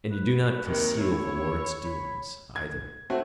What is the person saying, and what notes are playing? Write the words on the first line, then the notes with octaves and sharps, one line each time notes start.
And you do not conceal the Lord's doings, either.
B4
D#2 C3 D#3
E4 C#5
B5
G#6
A3 C4 F#4